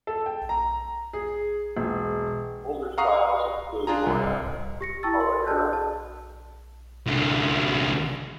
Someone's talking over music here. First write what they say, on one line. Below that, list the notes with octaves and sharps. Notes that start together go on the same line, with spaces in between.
Older styles include "morna" and "coladeira".
A4
G5
A#5
G#4
E1
F5 F#5 A#5 C#6 D#6 C7
D4 F4 G#4 A#5
C2
G4 A#6 C#7
E4 G5 A5 C#6 E6 A6
C6
D4 F#4 G#4 D5 A5 G6
A5
C2 D3